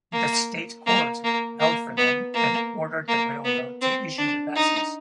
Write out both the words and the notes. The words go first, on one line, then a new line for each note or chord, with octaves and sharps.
The state court held for them, and ordered the railroad to issue the passes.
A#3
A#3
A#3
A#3
B3
A#3
A#3
B3
C4
D4
D#4